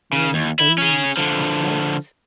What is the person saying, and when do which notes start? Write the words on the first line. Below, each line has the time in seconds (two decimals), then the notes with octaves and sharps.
really age out.
0.13 C#3
0.34 D#2
0.59 E4
0.78 C#4 G#4
1.17 D3 F3